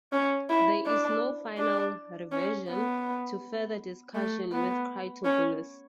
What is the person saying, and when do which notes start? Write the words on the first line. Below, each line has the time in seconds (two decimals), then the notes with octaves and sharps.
There is no final reversion to further discussion with Critoboulos.
0.13 C#4
0.50 E4
0.86 D4
1.58 D4
2.32 C#4
2.69 B3
4.15 A3
4.52 B3
5.25 C#4